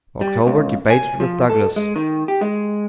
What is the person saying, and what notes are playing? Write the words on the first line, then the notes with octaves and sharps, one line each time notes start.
October, debated with Douglas.
G3
C#2
G#5
F3
A4
G#3
D#3
G4
G#3